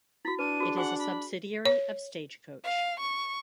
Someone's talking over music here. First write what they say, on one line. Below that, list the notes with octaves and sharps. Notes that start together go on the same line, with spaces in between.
It is a subsidiary of Stagecoach.
E4 F#4 B6
D4 B4 D#7
F#4 G#4
F#4 G#4 F#5 G#5
B5
C#5
F5
C#6